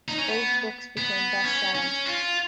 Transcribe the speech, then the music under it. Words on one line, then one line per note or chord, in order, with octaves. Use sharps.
Both books became best sellers.
D#4
C#4
B3
B3
C#4
C#4
F4